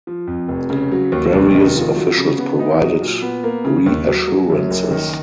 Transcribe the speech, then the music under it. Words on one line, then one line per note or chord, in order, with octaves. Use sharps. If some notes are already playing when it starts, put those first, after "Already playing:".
Various officials provided reassurances.
F3
F2
F1
C#3
F#3
D#2
F1
D#3
F4
F#3
C#3
B3
D#4
F#3
A#2
B3
A#3
C#3
D#2
F#3
F#3
F#2
F#1
D#3